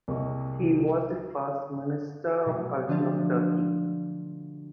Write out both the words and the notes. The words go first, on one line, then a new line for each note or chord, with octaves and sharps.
He was the first Minister of Culture of Turkey.
C2 A#3 G#4 D#5 C#6
B2 F#3 A3
D3 F3 D4 D#5 F5 A6